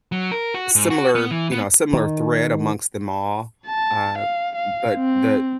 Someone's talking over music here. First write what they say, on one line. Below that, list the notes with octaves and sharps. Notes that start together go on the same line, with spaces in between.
similar you know, similar thread amongst them all, uh, but the
F#3
A#4
F#4
G#2
F#4
B3
E3
B3
D#3
A5
F5
F5
C4